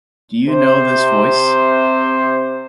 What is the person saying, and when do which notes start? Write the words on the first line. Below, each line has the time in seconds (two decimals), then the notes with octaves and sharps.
Do You Know This Voice?
0.49 C3 C5